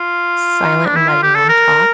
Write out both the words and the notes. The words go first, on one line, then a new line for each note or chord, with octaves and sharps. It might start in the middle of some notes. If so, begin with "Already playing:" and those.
silent and letting them talk
Already playing: F4
D4
E4
F4
G4
A4
A#4